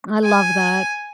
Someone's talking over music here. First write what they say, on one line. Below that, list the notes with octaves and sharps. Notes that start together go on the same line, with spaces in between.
I love that.
G#5